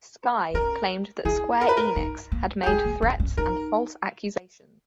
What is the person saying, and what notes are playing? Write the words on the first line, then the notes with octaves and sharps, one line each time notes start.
Sky claimed that Square Enix had made "threats and false accusations".
C#4 A#4
E4 G#4
A#4
B4
A#4
D#4
A#3
G4
G#3 G#4
A#3
C#4
C#4
D#4 A#4